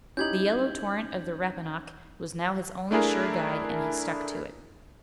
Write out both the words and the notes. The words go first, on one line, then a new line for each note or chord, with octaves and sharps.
The yellow torrent of the Rappahannock was now his only sure guide and he stuck to it.
C#4 D#4 E4 G4 G6 G#6 F#7
A3 D4 E4 G#4 A#4